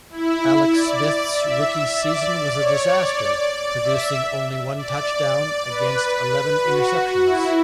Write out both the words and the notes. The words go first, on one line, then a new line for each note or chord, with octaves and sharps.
Alex Smith's rookie season was a disaster, producing only one touchdown against eleven interceptions.
E4
D5
E5
D5
C#5
D5
E5
D5
B4
F#4
E4